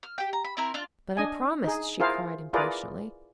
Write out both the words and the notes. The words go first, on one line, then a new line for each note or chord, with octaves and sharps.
"But I promised!" she cried, impatiently.
F6
G4 G5
A#5
B5
C4 E4 A#4
D4 F4
D4 D#5 G#5
D#4 G#4
E4 F4 G#4 A#4 C5 F5
E4 F4 G#4 A#4 B4 D5